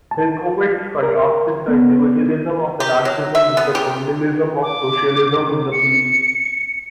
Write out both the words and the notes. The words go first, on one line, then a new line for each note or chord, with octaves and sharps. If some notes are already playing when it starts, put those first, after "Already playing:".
Hillkowitz contrasted the individualism of anarchism with the communalism of socialism in the piece.
A5
A#4
B3
G4
F#3
E5
B3
G4
D6
C#7